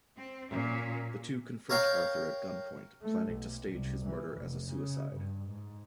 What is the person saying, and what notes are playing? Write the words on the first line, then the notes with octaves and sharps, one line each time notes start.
The two confront Arthur at gunpoint, planning to stage his murder as a suicide.
C4
A#2 C#4
A#4 C#5 F5 G5
A3
B1
C2
E3
F1
C#3
G2
G#2